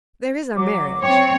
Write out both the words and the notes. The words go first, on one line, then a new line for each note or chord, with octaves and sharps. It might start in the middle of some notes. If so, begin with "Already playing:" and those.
There is our marriage....'
F#3 D6
C4 C#5 G5